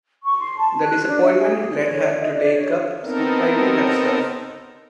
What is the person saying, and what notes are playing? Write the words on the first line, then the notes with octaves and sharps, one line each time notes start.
The disappointment led her to take up scriptwriting herself.
C#6
C6
A5
F#6
D4
E5
G#4
C#5
E5
D#5
D5
C#5
B3 C4 D#4 A4 A#4